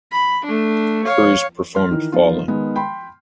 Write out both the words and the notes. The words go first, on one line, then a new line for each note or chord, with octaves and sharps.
Cruise performed Falling.
B5
A3 D4
C#5 F5
C6 F6
D#3 E3
F3 B3 D#4 F4
D#3 G#3 B3
G5 B5 C6